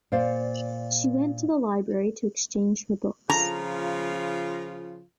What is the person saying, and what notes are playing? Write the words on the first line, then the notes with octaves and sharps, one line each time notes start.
She went to the library to exchange her books.
A#2 C5 D5 F5
C#3 F3 F4 A#5